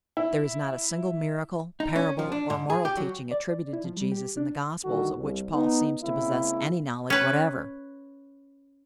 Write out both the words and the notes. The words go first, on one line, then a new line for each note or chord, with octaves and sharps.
There is not a single miracle, parable or moral teaching attributed to Jesus in the Gospels of which Paul seems to possess any knowledge whatever.
E4
D#4
C#4
F3
D4
G#2
G#4
G4
F#3
D5
E4
F3
G3
G4
D4
D3 D#3 G3 F#4 A4
C2
B3 D#4
C#3 G#3 A#3 C4 E4
C#4 B4